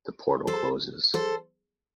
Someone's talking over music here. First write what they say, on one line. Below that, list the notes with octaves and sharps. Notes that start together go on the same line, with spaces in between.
The portal closes.
A4 C5
A4 C5